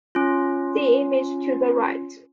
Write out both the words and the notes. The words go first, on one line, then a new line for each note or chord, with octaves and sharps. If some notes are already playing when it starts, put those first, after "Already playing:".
See image to the right.
C#4 F4